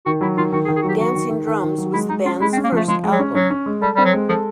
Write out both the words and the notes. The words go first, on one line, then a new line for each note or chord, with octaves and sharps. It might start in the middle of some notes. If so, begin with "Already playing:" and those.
Dancing Drums was the band's first album.
D#3 F#4
F#3 E4
D#3 F4
D#3 F#4
G#4
D#3
G#4
F#4
F#3 G4
D#3 F#4
D#3
D#3
D#3
D#3
F#3
G#3 E4
G#3 D#4
C#4 F4
G#3 E4
C4
C#4
A#3
F3 A3
F3 G#3
G#3
F#3
C#4
F#3 C#4
C#4
G#3
G3 A4
G3 C4
F#3
G#3
F3 A4